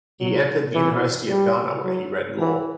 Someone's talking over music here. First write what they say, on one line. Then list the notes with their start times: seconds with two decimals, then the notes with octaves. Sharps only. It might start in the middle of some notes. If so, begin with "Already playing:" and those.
He entered the University of Ghana where he read Law.
0.20 F#3
0.75 E3
1.29 G3
1.84 F#3
2.39 E3